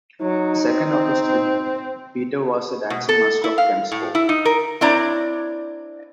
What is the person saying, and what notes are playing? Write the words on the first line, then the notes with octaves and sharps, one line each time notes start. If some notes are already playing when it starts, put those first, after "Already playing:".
The second of his three brothers, Peter, was a dancing master of Chelmsford.
F#3 D#4
C4
B2
A4
E4
F5
A2
E4
D#4
A#4
C4 D4 E4 C#5 D5 A#5